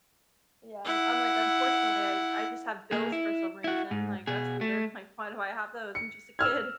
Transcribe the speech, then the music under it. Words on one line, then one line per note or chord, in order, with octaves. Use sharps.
Yeah. I'm I'm like, unfortunately, I I just have bills for some reason, like, that's weird. Like, "Why do I have those? I'm just a kid."
E4 F#5
A#3 G#4
E4
E4 F#4
G#2
B2 G#4
A3
C#7
E6 F6 G#6